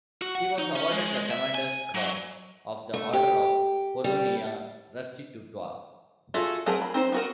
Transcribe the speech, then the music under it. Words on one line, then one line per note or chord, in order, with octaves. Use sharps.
He was awarded the Commander's Cross of the Order of Polonia Restituta.
F#4
F#5
D#4
C#4
G#3
E5
G#5
F#3
A3
G4
G3
F4 F#4 G#4 A4 E5
F#3 A3 C4 G#4 A#4
B5
C4 D#4 C5
B3 F#4 A#4